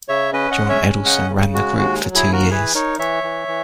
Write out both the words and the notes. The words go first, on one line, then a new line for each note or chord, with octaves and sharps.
John Edelson ran the group for two years.
C#3 C#5 E5
C#4 B4 D#5
D#5 F#5
G#3
C#5 E5
C#4
C#3 D#5 F#5
C#3
G#3 F#4
D#2 F#4
F#3
E4 G#4
D#2
F#4 A#4
E3 G#4 B4
D#4 A#4 C#5
E3 C#5 E5
E3
E3